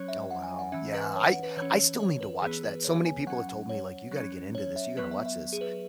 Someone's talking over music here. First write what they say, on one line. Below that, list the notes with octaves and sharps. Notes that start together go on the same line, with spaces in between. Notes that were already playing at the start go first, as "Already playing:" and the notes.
Oh, wow. Yeah, I I still need to watch that. So many people have told me, like, "You gotta get into this. You gotta watch this."
Already playing: F#3 C#4 C#5
E5
F#5
G#5
F#5
E3 C#4 E5
B4
C#5
F#5
B4
E3 C#4 C#5
C#5
C#5
B4
E3 B3 G#4
B4
C#5
G#5
F#3 C#4 F#5
F#5
C#5
F#3 C#4
C#5
E5
F#3 B3 B4
E5
E5
G#4
B4